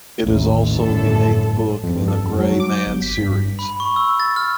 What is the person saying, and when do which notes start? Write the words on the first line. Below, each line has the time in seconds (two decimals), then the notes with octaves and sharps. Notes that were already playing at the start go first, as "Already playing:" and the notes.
It is also the eighth book in the Gray Man series.
0.22 A1 D#2
0.75 G1 F#2 A2 A4
1.83 F2
1.96 G2
2.08 A4
2.24 F#2
2.38 F#3
2.60 D6
2.72 G6
2.86 G1
3.02 B6
3.18 G2
3.59 B5
3.80 C#6
3.96 E6
4.20 A6
4.36 F6